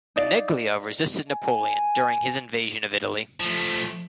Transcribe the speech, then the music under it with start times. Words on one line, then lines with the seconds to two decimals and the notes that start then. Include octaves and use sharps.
Oneglia resisted Napoleon during his invasion of Italy.
0.16 D#4 D5 F5
1.29 G#5
3.40 F3 A3